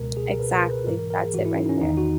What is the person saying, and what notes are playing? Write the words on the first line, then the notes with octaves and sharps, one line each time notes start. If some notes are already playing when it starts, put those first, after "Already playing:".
Exactly, that's it right there.
Already playing: C#2 B2 A#4
G#4
A#4
C#2 B2 B4
B4
A#4
B4
G#2 E3 A#4
A#4
A#4
G#4
G#2 E3 F#4
E4
C#4
D#4
C#4
E2 D#3 D#4
F#4